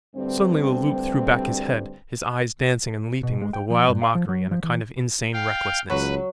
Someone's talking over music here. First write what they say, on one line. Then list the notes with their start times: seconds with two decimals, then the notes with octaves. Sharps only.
Suddenly Le Loup threw back his head, his eyes dancing and leaping with a wild mockery and a kind of insane recklessness.
0.16 D2 G2 G3 C4
3.23 B2
3.41 G#3
3.53 G5
3.70 F3
3.88 G2
4.02 F5
4.15 F3
4.29 F#3
4.51 F3
4.64 E3
5.34 F5 G5
5.90 C#2 F#3 B4